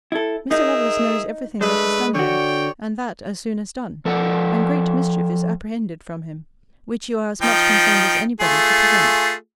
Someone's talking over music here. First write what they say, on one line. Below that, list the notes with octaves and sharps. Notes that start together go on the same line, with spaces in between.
Mr. Lovelace knows every thing that is done here; and that as soon as done; and great mischief is apprehended from him, which you are as much concerned as any body to prevent.
E4 A4
D#4 G#4 A#4 E5
G#3 A3 D4 B4
D3 F#4 C#5 D5 G5
F3 A4 D5 F#5
F3 D#4 G5
A3 F4 G#4